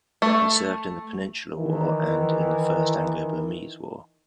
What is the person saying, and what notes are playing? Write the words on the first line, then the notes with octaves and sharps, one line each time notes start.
He served in the Peninsular War and in the First Anglo-Burmese War.
A3
D#3 E3